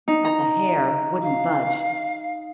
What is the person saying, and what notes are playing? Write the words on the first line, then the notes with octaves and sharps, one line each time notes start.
But the hair wouldn't budge.
D#4
A#5
F5